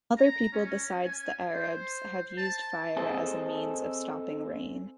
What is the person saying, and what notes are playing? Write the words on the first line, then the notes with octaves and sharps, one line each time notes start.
Other people besides the Arabs have used fire as a means of stopping rain.
A#5
C#4
G#5
C5
A5
C4 G#4 A4 C5 D#5